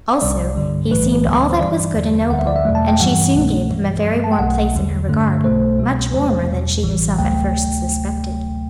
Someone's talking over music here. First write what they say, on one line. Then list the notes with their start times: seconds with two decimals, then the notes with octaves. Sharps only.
Also, he seemed all that was good and noble, and she soon gave him a very warm place in her regard; much warmer than she herself at first suspected.
0.21 C2 C3 G3 D5
0.55 G2 D3 G3
0.91 B1 A2 E3 A3 B4
1.26 D2 D3 G3
1.50 C5
1.60 G2 E3 G3 D5
1.95 E2 D3 F#3
2.30 D2 D3 G3 F#5
2.39 E5
2.47 D5
2.56 E5
2.65 E2 B2 F#3 A3
2.75 A5
2.87 G5
3.00 G2 E3 G3 F#5
3.35 C2 B2 A3
3.70 G2 E3 G3
4.04 G2 F#3 A3
4.24 A5
4.32 G5
4.39 B1 B2 F#3 A3 F#5
4.74 E2 D3 G3
5.09 G2 D3 A3
5.44 B1 B2 A3 C5
5.79 C2 B2 G3
6.13 E2 C3 F#3 A3 C5
6.48 E2 B2 G3
6.83 A1 A2 E3 G3
7.18 D2 C3 F#3 A3 G5